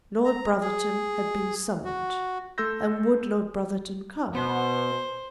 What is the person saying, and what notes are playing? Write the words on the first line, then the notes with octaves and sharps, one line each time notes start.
Lord Brotherton had been summoned, and would Lord Brotherton come?
A#5
G#4
F#4
A3 A4 C6 E6 G6 A#6
B2 B3 C5